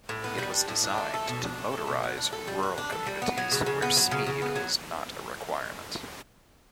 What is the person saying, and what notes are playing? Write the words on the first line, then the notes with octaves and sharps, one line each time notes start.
It was designed to motorise rural communities where speed was not a requirement.
A2
B3
G3
D4
A2
D4
A3
A4
B2
D4
A3
A4
B2
F#4
D4
A4
G3
F#4
D4
A4
G3
B3
F#3
C#3
C#3
B3
F#3
C#3
C#3
B3
F#3